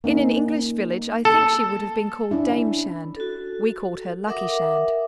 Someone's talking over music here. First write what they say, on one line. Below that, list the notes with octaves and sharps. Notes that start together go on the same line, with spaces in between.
In an English village I think she would have been called Dame Shand: we called her Luckie Shand.
A#3 C#4 D#4
A4
C#4 D4 E4
F#4 A4
A#4 E5 F#5 D6 D#6